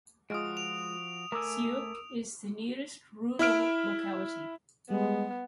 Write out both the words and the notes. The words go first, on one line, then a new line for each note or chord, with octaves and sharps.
Siukh is the nearest rural locality.
F3 G#3 F4 F#4 D#6 F6 D7
F7
A3 A#4 G#5 D6 E6
E4 E5 F6 D7
G3 G#3 B3